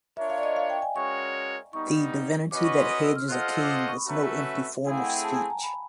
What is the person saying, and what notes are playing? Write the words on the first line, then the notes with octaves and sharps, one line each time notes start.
The divinity that hedges a king was no empty form of speech.
D4 F4 A#4 C#5 E5
F5
D5
D#5
F5
G5
G#5
G#3 C#4 F#4 A#4 C#5 C#6
G3 B3 D#4 C#6
C#4 F#4 B4 D#5 D6
C#6
C6
D#6
E6
F6
F4 A4 C5 D#5 F#5 F#6
F6
E6
D6
D#6
C#6
B5
A3 C#4 F#4 B4 E5 A#5
A3 C4 E4 G#4 F5
F#5
G5
G#5
A5
G#5
A#5
B5